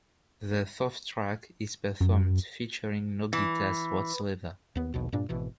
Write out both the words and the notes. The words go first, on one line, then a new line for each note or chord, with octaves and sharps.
The fourth track is performed featuring no guitars whatsoever.
F#2
E3
D#2 B3
A#1 D#2 B2
G2 A#2 D4
G#1 B2 E3